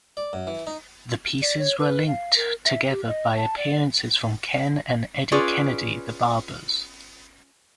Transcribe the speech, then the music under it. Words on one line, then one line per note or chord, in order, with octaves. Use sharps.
The pieces were linked together by appearances from Ken and Eddie Kennedy The Barbers.
D5
F#2
E3
D#4
D5
C#5
B4
F5
A#4
E5
G4
D#5
A5
D5
C#4 F4 G#4 B4 D5